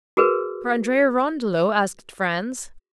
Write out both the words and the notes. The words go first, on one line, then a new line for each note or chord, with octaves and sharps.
"For Andrea Rondolo?" asked Franz.
F#4 G#4 A#4 B4